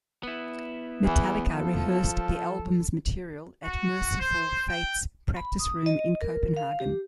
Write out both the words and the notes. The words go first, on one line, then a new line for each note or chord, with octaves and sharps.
Metallica rehearsed the album's material at Mercyful Fate's practice room in Copenhagen.
B3 E4
E2 E3
F3 A4
F#4
C5
G5
B5
D#6
D#5
A#4
F5
G4